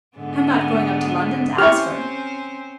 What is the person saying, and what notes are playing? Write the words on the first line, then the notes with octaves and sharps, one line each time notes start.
I'm not going up to London to ask her.
G#2 D3 B3
C4 C#4 E4 G4 C5 C#6 F6